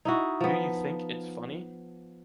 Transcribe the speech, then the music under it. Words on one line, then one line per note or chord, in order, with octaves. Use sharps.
Do you think it's funny?
D#4 E4 F#4
F3 B3